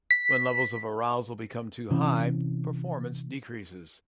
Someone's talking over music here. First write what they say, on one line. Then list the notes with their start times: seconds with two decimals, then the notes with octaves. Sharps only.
When levels of arousal become too high, performance decreases.
0.11 B6
1.91 C3 E3 C#4